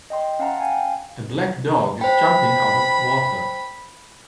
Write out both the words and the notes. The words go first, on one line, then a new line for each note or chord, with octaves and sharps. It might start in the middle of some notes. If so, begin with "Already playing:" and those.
A black dog is jumping out of water.
D#5 G5 C6
C#4 F5 F#5 A5 A#5
F5 G5 G#5
C5 G5 B5